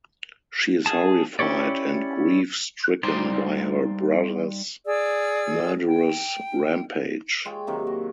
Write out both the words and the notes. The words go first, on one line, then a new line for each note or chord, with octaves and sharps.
She is horrified and grief-stricken by her brothers' murderous rampage.
G#4 A5
C#4 E4 G4 C#5 D5
G3 D#4 C5 D5 C6
G#4 D5 E6
G5
G#3 F4 C#5 G5
C3 D#3 F#3 A#3
F#4